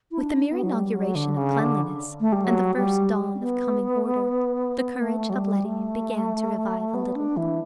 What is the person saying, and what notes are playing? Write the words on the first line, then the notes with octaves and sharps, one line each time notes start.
With the mere inauguration of cleanliness, and the first dawn of coming order, the courage of Letty began to revive a little.
E4
D4
B3
F#3
G3
F#3
D3
C#3
D3
A3
G3
F#3
G3
C#4
B3
A3
F#3
G3
A3
B3
D4
E3